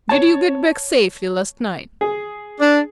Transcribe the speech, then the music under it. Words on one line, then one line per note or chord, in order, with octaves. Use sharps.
Did you get back safely last night?
C#5 A5
G#4
D4